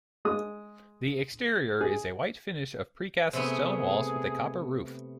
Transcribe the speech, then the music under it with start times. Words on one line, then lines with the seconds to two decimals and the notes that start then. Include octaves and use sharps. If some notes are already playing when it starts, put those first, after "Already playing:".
The exterior is a white finish of pre-cast stone walls with a copper roof.
0.25 G#3 D#6
1.81 G#4
3.33 C3 A3 B3 G#4